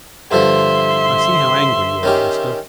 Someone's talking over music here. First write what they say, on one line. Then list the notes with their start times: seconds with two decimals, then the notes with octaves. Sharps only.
I see how angry you are, Hester.
0.31 G2 D3 F3 E5 C6
2.03 D#3 C#4 G4